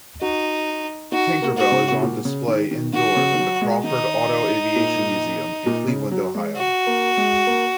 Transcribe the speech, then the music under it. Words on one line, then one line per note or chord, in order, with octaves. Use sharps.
"Tinkerbelle" is on display indoors at the Crawford Auto-Aviation Museum in Cleveland, Ohio.
D#4 F#4
D#4 F#4
A#3
F#4
C#3
C#3
A#2
C#3
D#3
D#3
D#3 F#4
C#3
D#3
F#3
G#3
D#3 D#4
A#2
A#2
C#3
F#3
G#3
F#4
A#3
G#3
A#3